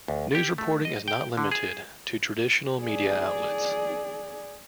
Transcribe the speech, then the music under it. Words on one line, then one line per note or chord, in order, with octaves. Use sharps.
News reporting is not limited to traditional media outlets.
D2
G4
A3
D#5
G5
D3
G#4
G#4 D5